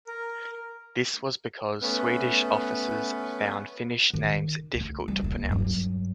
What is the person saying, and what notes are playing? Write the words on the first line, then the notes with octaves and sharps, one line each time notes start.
This was because Swedish officers found Finnish names difficult to pronounce.
A#4
A3 B3 C#4 B4
D#3
D2
G3
D#1 E4
G2 F#3